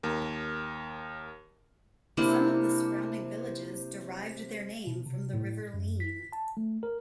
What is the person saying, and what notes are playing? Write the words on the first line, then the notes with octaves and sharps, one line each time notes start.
Some of the surrounding villages derived their name from the River Leen.
D#2 A#4
C3 A#3 D4 E4
B2
C3
A2
F#2
B6
A5
A3
A#4